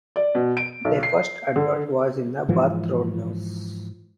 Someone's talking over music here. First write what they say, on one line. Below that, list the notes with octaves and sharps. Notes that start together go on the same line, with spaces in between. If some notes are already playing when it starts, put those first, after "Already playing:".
Their first advert was in the "Bath Road News".
D5
B2
D7
B1
C7
D3
G#2 E3 F3